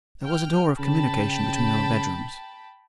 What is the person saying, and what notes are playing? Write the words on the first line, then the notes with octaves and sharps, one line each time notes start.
There was a door of communication between our bedrooms.
G5 F6
C#3 G5 A5 B5